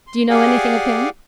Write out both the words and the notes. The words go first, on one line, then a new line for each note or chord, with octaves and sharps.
Do you know anything of him?
C6
G4 G#4 D5 F5 F#5 G#5